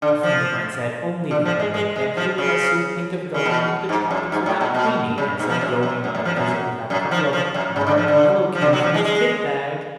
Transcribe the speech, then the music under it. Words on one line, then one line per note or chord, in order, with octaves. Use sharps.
A friend of mine said only the other day that he would as soon think of going into the tropics without quinine as of going on a visit without a couple of Mark Mellowkents in his kit-bag.
D3
F3
D3
F3
G#3
G#3
G#3
F3
C#3
C#3
B2
G#2
F#2
G#2
A2
B2
B2
C#3
G#2
F3
F#2
F#2
F#2
F#2
F3
F#2
F#2
F3
F3
F#2
C#3
D3
F3
D3
F3
D3
F#3
F3
G#3
G#3